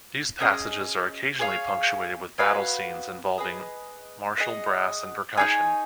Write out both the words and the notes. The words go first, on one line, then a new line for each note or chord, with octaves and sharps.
These passages are occasionally punctuated with "battle scenes" involving martial brass and percussion.
C#4 G#4 D#5
G#4 C#5 F5
F#4 B4 F5 G#5
G#4 B4 D#5
G#4 D#5 F#5
D#4 G#4 C#5 G#5